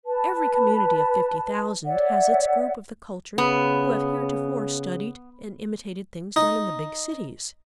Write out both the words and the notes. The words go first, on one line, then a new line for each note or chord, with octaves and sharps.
Every community of fifty thousand has its group of the cultured who have heretofore studied and imitated things done in the big cities.
B4 A5
C#5 D5 E5 F#5
C#3 B3
D#4